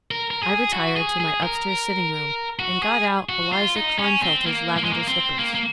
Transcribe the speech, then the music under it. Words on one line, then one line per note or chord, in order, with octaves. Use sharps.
I retired to my upstairs sitting-room and got out Eliza Klinefelter's lavender slippers.
A#4
A#4
G#4
F#4
G#4
G#4
A#4
F#4
G#4
F#4
F4
D#4
C#4
C4
A#3
A#3
G#3
A#3
C4
A#3
A#3